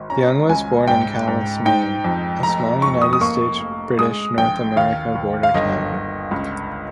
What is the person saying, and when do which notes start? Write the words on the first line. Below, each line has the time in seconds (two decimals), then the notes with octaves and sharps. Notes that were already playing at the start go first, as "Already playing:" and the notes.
Young was born in Calais, Maine, a small United States-British North America border town.
Already playing: G#1
0.10 C#4 A#5
0.49 C#2 G#5
0.88 G#2 G5
1.27 G#2
1.65 D#4 G5
2.04 F2
2.43 F1 A#5
2.82 F1 C#6
3.02 D#6
3.13 D#6
3.21 A#3 C#6
3.60 F1
3.99 G#3 D#6
4.37 A#1 G5
4.76 D#2 F5
5.15 D#2
5.43 F5
5.54 G1 D#5
5.93 G1
6.31 C#2